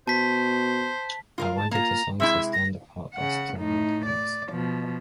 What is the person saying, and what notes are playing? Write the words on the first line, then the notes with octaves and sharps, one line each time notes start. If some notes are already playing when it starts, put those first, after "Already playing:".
I wanted the songs to stand apart but still hold hands.
B2 C5 A5 B6
F4 A#4 F5
A5
A#3 F4 A#5
C3 G#3 E4 E5
A#6
C#3 F#5
A2 D#4
D5
B2 F3